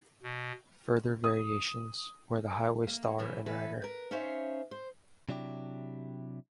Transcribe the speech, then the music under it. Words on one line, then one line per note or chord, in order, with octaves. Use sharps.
Further variations, where the Highway Star, and Rider.
B2
D#6
A#3
A2 C#3 E3 F#3
E2 E3 B3 A4 B4 G#5
A#4 B4
C#4 D#4 C5 C#5 E5 F5
C5
C3 F#3 D4 E4 G4